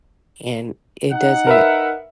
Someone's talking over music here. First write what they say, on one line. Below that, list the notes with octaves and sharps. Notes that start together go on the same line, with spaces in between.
And, it doesn't
D#4 F#5
A#4 B4 E5